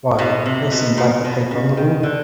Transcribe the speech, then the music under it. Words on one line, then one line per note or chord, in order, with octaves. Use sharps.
Why, they seemed like the paper on the wall.
B2
C3
B2
A#2
B2
C#3
D#3
D3